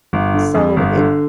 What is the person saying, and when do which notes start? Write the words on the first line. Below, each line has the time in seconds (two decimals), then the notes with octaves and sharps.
So it
0.13 G1
0.33 D3
0.54 F2
0.77 G1
0.96 D3